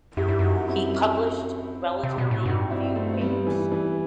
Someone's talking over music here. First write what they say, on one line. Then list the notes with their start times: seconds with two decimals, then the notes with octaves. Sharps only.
He published relatively few papers.
0.17 F#2 E4 G4
0.28 G2
0.39 F#2 D#4 F#4
0.68 C4 E4
2.03 C3
2.18 B2
2.31 A2
2.45 G2 D#4 F#4
2.71 C4 E4
2.96 A3 C4
3.14 C4
3.21 G3 B3
3.47 E3
3.72 E3